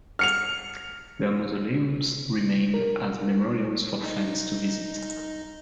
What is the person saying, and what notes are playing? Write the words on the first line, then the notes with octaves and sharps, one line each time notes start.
Their mausoleums remain as memorials for fans to visit.
F6 C#7 F7
A#4
D#4 D#5